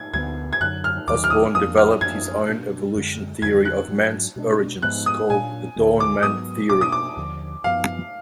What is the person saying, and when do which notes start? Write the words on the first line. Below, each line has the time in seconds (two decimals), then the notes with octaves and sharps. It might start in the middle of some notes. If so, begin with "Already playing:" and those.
Osborn developed his own evolution theory of man's origins called the "Dawn Man Theory".
Already playing: G#6
0.14 D2 D3 F#3 B3 G#6
0.53 G#6
0.60 F#2 D3 F#3 F#6
0.84 F6
1.07 D#2 D#3 F#3 D6
1.24 F6
1.30 D#6
1.54 F2 F3 A#3 D4 D#6
1.78 F6
2.01 F#2 F3 A#3 D4 G#6
2.48 B2 A#3 D4
2.95 F#2 D3 G#3
3.42 F2 D3 F#3 G#6
3.65 F#6
3.88 G#2 F#3 D4
4.36 B2 G#3 D4
4.82 G#2 F3 G#3 B3 F#6
5.06 D#6
5.30 A#2 F#3 A#3 D4 G#5
5.76 D2 D3 G#3
6.00 D6
6.23 G#2 F#3 B3 D#6
6.70 B2 A#3 D4 D6
6.81 D#6
6.92 D6
7.17 D#2 D3 F3
7.64 F#2 F3 G#3 B3 F5